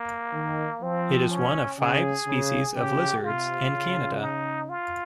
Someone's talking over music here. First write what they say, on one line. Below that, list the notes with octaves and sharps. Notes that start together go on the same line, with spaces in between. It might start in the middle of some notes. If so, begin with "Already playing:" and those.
It is one of five species of lizards in Canada.
Already playing: A#3
D#3
F3 C4
C#4
C#3 G#4
C#3
C#3 G4
C3 F4
C#3
D#4
F4